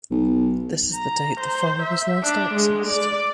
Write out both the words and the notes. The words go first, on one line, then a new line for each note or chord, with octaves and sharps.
This is the date the file was last accessed.
B1
A#5
C5
E5
D4
G#3
D5